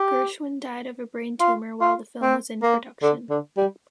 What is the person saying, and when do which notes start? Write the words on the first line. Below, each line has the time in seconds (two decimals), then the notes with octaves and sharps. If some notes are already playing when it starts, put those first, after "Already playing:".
Gershwin died of a brain tumor while the film was in production.
Already playing: G4
1.40 F4
1.81 F4
2.22 C4
2.62 A#3
3.02 D3
3.30 D3
3.57 G3